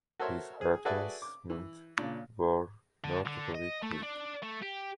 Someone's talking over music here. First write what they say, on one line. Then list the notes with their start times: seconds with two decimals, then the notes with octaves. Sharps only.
His advancements were notably quick.
0.20 F#4 A4 A#4 C5 C#5 E5
0.61 G#4
0.85 F#4 G#4 A4 B4 D5 E5
1.22 D6
1.50 E3
1.98 A#2 C#3 D4
3.04 D3
3.26 D3
3.55 D#5
3.82 A3
4.03 D4
4.42 A3
4.62 G4